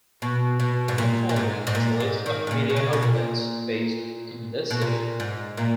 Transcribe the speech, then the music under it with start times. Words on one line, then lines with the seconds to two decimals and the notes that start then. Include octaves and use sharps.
The following is a list of media outlets based in the city.
0.22 B2
0.60 B2
0.88 G#2
0.98 A#2
1.29 A#2
1.36 G#2
1.67 G#2
1.75 A#2
2.00 G#2
2.26 D#3
2.47 G#2
2.51 A#2
2.70 B2
2.76 C#3
2.93 B2
3.03 A#2
4.71 B2
4.81 A#2
5.20 G#2
5.57 A#2